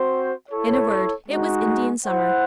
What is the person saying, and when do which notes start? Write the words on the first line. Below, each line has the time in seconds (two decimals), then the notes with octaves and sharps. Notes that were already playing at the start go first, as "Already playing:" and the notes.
In a word, it was Indian summer.
Already playing: C4 F#4 C5
0.49 E4 A4 C#5
1.27 G#3 D#4 F#4
2.06 E4 C5 F#5